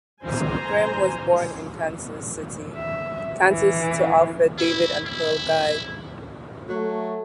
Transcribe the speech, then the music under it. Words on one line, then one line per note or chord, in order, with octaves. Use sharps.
Scrimm was born in Kansas City, Kansas to Alfred David and Pearl Guy.
C5 G#5 A#5
E5
E3
E4
E4
F#3 A3